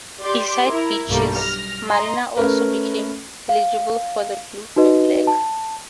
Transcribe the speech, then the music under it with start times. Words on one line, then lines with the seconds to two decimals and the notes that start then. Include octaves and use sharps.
Besides beaches marinas also became eligible for the Blue Flag.
0.20 G4 D5 C6 D6
0.69 E4 A#4
1.08 B1 G2 G3 A3 A#3
1.37 F6 A#6
1.88 D#5 A#5 C6
2.36 A3 C#4 A#4 B4
3.49 F5
4.76 D#4 F#4 B4 D#5
5.27 A5